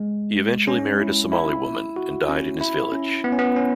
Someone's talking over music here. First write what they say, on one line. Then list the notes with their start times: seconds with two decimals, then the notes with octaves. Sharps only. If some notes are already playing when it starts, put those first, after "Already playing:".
He eventually married a Somali woman and died in his village.
Already playing: G#3
0.68 C#4
1.00 E4
1.32 E4
1.96 F#4
2.29 C#4
2.61 E4
2.92 C#4
3.24 B3
3.32 C#4
3.39 B3
3.56 C#4